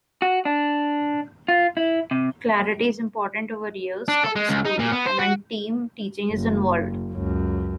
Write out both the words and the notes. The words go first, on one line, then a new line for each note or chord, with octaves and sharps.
Clarity is important over years of schooling and when team teaching is involved.
F#4
D4
F4
E4
C3
D4
A4
G#3
C#2
D#4
A#2
B3
C5
F#4
F#1
C#2 F#2